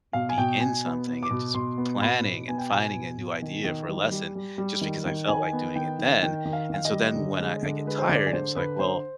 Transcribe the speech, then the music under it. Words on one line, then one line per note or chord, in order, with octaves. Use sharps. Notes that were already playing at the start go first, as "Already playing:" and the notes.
be in something, and just planning and finding a new idea for a lesson just because I felt like doing it then. And so then when I I get tired, it's like, "Well,
B2 F5
G#5
B2 G5
B2 G#5
B3
B3
D6
B2
B2 C6
B3
B2 B5
B2
B3 G#5
G5
B2 G#5
B2
B2
D#3
D#3
G3
G3
G3
G3
D#3
D#3
D#3 G#5
B3
D#3 G5
D#3
D#3 G5
D#3
F5
D#3 F5
D#5
G3
D3
G#3
D3
G#3 B4
C5
D3 D5
D5
D3 C5
D3 B4
D3 C5